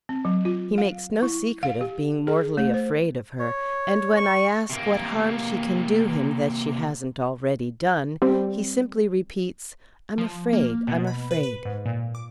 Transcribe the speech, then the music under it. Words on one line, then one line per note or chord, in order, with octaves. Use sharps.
He makes no secret of being mortally afraid of her, and when I ask what harm she can do him that she hasn't already done he simply repeats: 'I'm afraid, I'm afraid!
C4
F#3
F4
F5
E4
F5
G4
G#4
A3
C5
C#5
C#6
C3 A#3
G3 C4
F3
A#3
B2
B5
B4
B4
G#2
A#2
D6